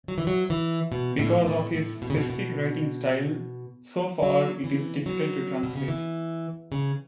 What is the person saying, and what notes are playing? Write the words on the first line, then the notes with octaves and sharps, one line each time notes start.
Because of his specific writing style, so far, it is difficult to translate.
F#3
E3
F#3
E3
B2
A2
B2
A2
A2
B2
C#3
B2
B2
F#3
E3
F#3
B2
C#3
E3
C#3